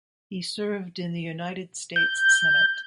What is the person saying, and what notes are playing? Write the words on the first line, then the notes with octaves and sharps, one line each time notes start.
He served in the United States Senate.
G6